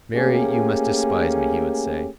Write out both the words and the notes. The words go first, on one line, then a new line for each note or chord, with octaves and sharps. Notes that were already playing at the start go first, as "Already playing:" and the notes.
"Mary, you must despise me!" he would say.
A3 A#3 C#4 G4 G#4